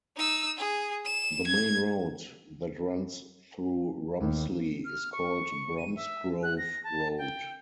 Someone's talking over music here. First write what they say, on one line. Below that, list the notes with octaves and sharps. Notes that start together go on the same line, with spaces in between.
The main road that runs through Romsley is called Bromsgrove Road.
D#4 E6
G#4
E7
G#6
D#2
F6
C#6
D#7
E5
F#6
A#6
A5
G5